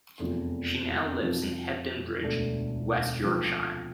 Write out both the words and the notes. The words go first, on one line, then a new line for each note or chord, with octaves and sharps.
She now lives in Hebden Bridge, West Yorkshire.
F1 E2 C3 F3
F2 C3 F3
E1 D2 D3 A3 D4
D2 C3 F3 C4